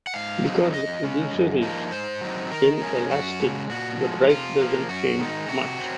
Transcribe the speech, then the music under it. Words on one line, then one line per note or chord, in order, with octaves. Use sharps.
Because the producer is inelastic, the price doesn't change much.
F#5
G#2 F5
F#3 C4 D#4
F2 D#5
C#3 G#3 C#4
F#2
F3 A#3 D#4
G#2 C5
F#3 C4 D#4
D#3 A#4
G#3 C#4
F#2 F#4
G#3
C#3
A#2 F#4
F3 G#3
C3 F4
F3 A#3
F#2 F#4
D#3 G#3 D#4
C3 F#4
F#3 C4